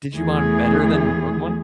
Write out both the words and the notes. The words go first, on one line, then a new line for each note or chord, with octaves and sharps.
Digimon better than Pokémon?
E2 E3 A3 G#4